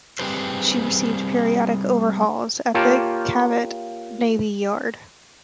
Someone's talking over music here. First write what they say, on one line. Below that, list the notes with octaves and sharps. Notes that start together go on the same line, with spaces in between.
She received periodic overhauls at the Cavite Navy Yard.
G3 C4 G4 G#4 B4 C5
A#3 F4 G4 C#5 G5 A5